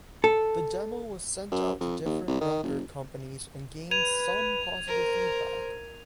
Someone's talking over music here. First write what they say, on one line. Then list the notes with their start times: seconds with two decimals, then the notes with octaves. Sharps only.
The demo was sent out to different record companies and gained some positive feedback.
0.24 A4
1.52 F#2
1.80 F2
2.05 D#2
2.28 C2
2.41 D#3
2.63 F#1
3.91 B4 G#6 D#7 F7
4.88 A#4 C5